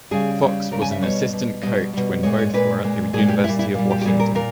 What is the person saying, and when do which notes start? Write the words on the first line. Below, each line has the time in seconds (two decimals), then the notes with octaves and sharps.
Fox was an assistant coach when both were at the University of Washington.
0.11 C#3 G3 G#4
0.42 C#3 G3
0.71 C#3 G3 A#4
0.82 G#5
0.92 E5
1.02 B2 G3 C#5
1.32 B2 G3
1.62 B2 G3 D#5
1.93 B2 G3
2.23 A#2 G#3 C#5
2.38 C#5
2.54 A#2 G#3 B4
2.83 A#2 G#3
3.13 A#2 G#4
3.18 G#3
3.29 G4
3.44 G3 E4
3.48 A#2
3.59 E4
3.74 A#2 G3
3.90 G4
4.01 G4
4.05 A#2 G3 G#4
4.20 A#4
4.35 A#2 A#4